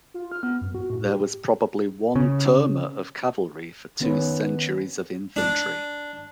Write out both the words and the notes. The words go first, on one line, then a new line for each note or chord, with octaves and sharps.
There was probably one "turma" of cavalry for two centuries of infantry.
F4
F6
B3
F#2
F#4
A2
G4
C#3
D#3 B3 C#4 B4 C#5
D4